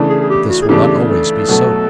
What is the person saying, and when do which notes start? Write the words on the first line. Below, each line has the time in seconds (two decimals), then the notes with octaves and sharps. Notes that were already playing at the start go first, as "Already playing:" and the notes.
But this will not always be so.
Already playing: C#3 E3 A3 D4
0.10 G#4
0.20 G#4
0.30 G4
0.49 F#4
0.62 G#4
0.69 C#3 E3 A3 D4 G4
1.08 A4
1.49 B2 F#3 A3